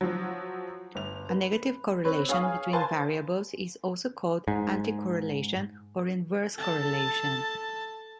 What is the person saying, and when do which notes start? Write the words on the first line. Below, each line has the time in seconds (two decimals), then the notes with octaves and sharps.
A negative correlation between variables is also called anticorrelation or inverse correlation.
0.01 F3 F#3
0.95 G1 F7
1.29 B4
2.05 C4 B4 C#5
2.29 G#4 C#5 F5 G#5 D#6
2.73 B4 C5 F5 G#5 A5 C6
4.48 G#2
6.55 A4 A5